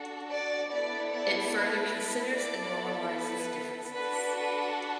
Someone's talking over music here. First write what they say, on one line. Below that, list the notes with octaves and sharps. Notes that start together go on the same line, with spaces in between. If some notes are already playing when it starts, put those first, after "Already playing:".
It further considers and normalizes differences.
Already playing: D4 F#4 A4
D5
B3 E4 A4 D5
D5
B4
B3 E4 A4 D5
B4
D4 F#4 A4 B4
B4